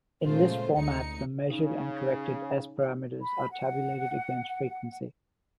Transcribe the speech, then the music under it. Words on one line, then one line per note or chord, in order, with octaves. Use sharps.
In list format the measured and corrected S-parameters are tabulated against frequency.
A#2 C#3 G#3 A3 F4 C5
D2 D#4 C#7
C#3 D#4
B5
F#5